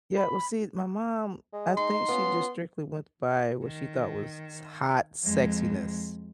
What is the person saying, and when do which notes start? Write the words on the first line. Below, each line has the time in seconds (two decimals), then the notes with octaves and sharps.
Yeah, well, see, my mom, I think she just strictly went by what she thought was hot sexiness.
0.16 B5
1.53 G#3
1.77 D#4 C6
2.08 B3 C#4 F4
3.65 D#3
5.23 F2 G#3